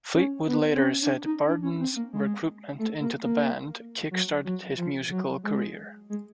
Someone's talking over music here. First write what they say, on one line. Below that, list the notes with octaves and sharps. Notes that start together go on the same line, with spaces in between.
Fleetwood later said Barden's recruitment into the band kick-started his musical career.
C#4
B3
C4
C#4
D4
D#4
D4
C#4
C4
A#3
G#3
A3
A#3
A#3
F#3
F#3
F3
F#3
G#3
G#3